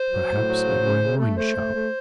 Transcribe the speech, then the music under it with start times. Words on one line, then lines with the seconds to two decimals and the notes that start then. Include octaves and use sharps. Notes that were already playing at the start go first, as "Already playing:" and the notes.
"Perhaps at my wine-shop?"
Already playing: C5
0.09 F#3
0.28 A2
0.46 F#3
0.64 C#3
0.82 C#3
1.01 C#3
1.18 A3
1.37 A3 C5
1.55 A3
1.73 A3